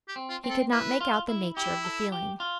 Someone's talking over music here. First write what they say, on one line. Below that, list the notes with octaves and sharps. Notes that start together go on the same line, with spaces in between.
He could not make out the nature of the feeling.
G4
C4
F4
C4
A4
E4 B4
F4
E4
E4 G4
A4
G4
F4